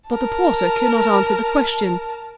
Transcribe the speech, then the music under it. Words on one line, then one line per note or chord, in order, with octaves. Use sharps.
But the porter could not answer the question.
A#4 A5